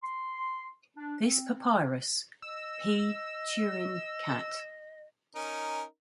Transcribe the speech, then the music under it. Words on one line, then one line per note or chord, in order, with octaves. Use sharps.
This papyrus, P. Turin Cat.
C6
D4
C4
D#5 E6
C#4 D#4 A#4